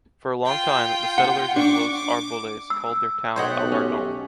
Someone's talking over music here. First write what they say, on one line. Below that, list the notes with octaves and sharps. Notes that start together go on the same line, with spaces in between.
For a long time, the settlers in Los Árboles called their town Albardón.
F4 G5
F#5
D4 C#6 D6
D6
E6
B1 A3 G4 C5 C#5 D#5 F#5
C#4